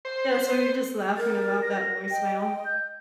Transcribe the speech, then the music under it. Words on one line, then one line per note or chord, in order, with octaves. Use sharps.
Yeah, so we're just laughing about that voicemail.
C5
A#4 A6
A#6
D#5 G5
G6